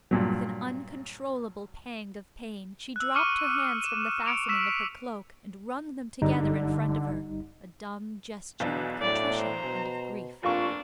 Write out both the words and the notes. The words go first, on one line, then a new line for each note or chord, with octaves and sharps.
With an uncontrollable pang of pain she dropped her hands from the fastenings of her cloak, and wrung them together in front of her--a dumb gesture of contrition and of grief.
G2 A#2 F#3
E6 F#6
C#6 D6 F6 C#7 D#7
D#7 E7
C#7 D7 F7
C#6 E6 B6 E7
G1 D3 G3 D#4
B1 E2 B2 D4
A2 D5
C5 A#5
B2
F1 A#3 D4 F4 C#6